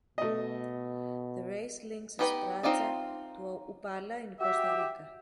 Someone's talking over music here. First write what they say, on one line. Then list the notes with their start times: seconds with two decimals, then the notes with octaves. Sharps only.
The race links Esparza to Upala, in Costa Rica.
0.18 B2 A3 D#5
2.19 B3 D#4 G4 B4 G5
2.63 C4 D#4 F4 D5 D#5
4.40 F#4 G4 E5